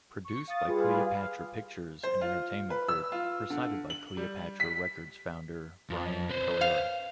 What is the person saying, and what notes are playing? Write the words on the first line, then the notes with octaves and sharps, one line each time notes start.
Produced by Cleopatra Pictures and Entertainment Group, presided by Cleopatra Records founder Brian Perera.
C#6 C#7
F5 D#6 A6
G3 F4 G#4 B4
F5
C5
F4
B4
E6
F4
D3
F#7
G3
B6
F2
B4 C5
F5